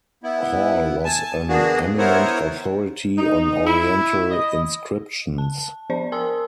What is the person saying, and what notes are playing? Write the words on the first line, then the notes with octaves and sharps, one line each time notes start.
Hall was an eminent authority on Oriental inscriptions.
B3 E4
G#5 A5
A#3 B3 D4 F#4 G#4
B3 E4 A#4 C5 C#5 F#5
D#4
E4
D#5
A5
F3 B3 C5 D5
A#4 G#5 A5 C6 D#6 E6